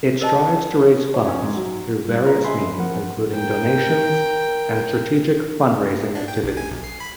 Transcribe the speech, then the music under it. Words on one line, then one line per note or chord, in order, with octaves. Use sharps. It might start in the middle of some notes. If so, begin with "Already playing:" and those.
It strives to raise funds through various means including donations and strategic fund-raising activities.
A#4 C5 D#5 G#5 A5
C#5
C#4
G#2
F#3
G3 F#6
F4 B4 A#5
D#5 E5 G#5 B5 C6
F3 A#4 F#5
A#4 G5
D4
G5
B1
G#5
B1
C7
B5